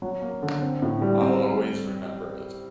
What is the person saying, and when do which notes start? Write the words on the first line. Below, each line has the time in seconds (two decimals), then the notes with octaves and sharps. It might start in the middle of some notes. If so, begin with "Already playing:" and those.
I'll always remember it.
0.02 F#3
0.22 A#3
0.42 D3
0.62 C4
0.82 A2
1.02 G3
1.21 C4